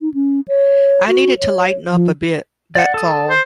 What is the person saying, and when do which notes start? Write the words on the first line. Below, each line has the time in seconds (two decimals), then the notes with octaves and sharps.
I needed to lighten up a bit, that's all.
0.01 D#4
0.14 C#4
0.48 C#5
1.08 F#4
1.39 C#5
1.92 F3
2.75 D5 F#5
2.94 A4 D#6
3.30 C5